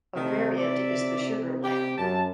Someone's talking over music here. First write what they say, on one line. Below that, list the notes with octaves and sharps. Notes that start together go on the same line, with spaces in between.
A variant is the sugar lamb.
C3 D#3 A3
D5 E5
G4
F#2 A5